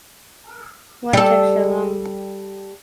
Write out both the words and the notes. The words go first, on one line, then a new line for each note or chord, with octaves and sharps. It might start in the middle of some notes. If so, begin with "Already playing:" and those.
What took so long?
G3 A4